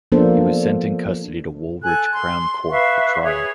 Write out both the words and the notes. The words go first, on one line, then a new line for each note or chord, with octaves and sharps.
He was sent in custody to Woolwich Crown Court for trial.
F3 A#3 B3 D4 A4 C5
A4 G#5 F#6
C6
B4 E5 F5 C#6
G#4 C#5